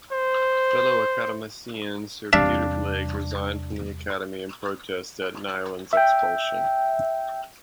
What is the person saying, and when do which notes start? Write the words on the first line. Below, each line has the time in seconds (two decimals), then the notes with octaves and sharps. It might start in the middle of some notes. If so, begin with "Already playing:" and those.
Fellow Academician Sir Peter Blake resigned from the Academy in protest at Neiland's expulsion.
0.12 C5
2.33 E2 C3 G3 D4 E5 F5
5.93 E5 G5